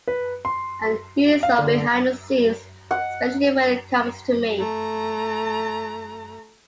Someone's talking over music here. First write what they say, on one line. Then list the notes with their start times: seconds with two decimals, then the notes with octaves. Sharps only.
And he's so 'behind the scenes,' especially when it comes to me.
0.07 B4
0.45 C6
1.43 F5
1.58 D3
2.91 F#5
4.59 A3 A#5